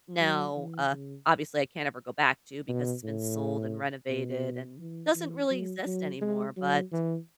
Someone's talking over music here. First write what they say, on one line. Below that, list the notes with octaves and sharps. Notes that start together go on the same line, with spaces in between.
now, uh, obviously, I can't ever go back to because it's been sold and renovated and doesn't really exist anymore, but
F#3
E3
C#3
B2
A2
B2
E3
E3
F#3
F#3
G#3
F#3
E3